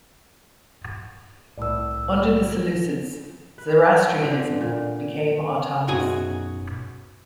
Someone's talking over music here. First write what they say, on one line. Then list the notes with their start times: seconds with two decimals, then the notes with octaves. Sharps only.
Under the Seleucids, Zoroastrianism became autonomous.
1.58 C2 A2 D5 E6
3.58 B4
4.22 D3 F4 G4
4.61 A#2
5.88 B1 F#2 F#4 G#4 G#5